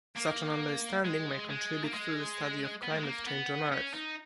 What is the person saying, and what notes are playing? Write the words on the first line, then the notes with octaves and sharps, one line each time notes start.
Such an understanding may contribute to the study of climate change on Earth.
A#3
G#3
G#3
A#3
G#3
B3
A#3
G#3
A#3
B3
C#4
D#4